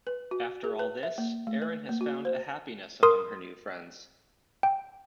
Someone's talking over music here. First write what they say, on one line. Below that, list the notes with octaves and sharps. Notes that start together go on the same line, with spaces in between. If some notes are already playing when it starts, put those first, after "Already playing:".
After all this, Erin has found a happiness among her new friends.
B4
F#4
G#4
B4
E5
A#3
A3
B4
A#3
F#4
C5
A#4 C6 D#6
G5